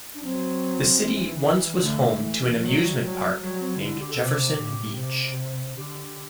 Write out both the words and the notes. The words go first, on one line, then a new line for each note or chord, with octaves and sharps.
The city once was home to an amusement park named Jefferson Beach.
D4
F#3 C4
E3
G3
D3 A3
E3
F#3 G3
A3
G3
A3
F#3 G3
F#3 G3
C4
D3 E4
G4
A4
C3 G4
A2
C3
D3 G4